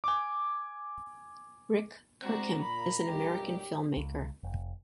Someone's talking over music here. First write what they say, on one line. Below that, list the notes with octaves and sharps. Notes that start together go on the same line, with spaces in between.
Rick Kirkham is an American filmmaker.
G#5 D6
G#3 C4 D4 F#4 A#5
A#2 B5
B1 F#2 G3 G4
C#2
F1